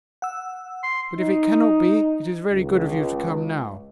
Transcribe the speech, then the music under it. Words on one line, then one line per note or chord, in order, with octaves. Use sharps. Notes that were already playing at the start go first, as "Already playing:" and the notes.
But if it cannot be, it is very good of you to come now.
F#5 E6
C6
D#4
C#2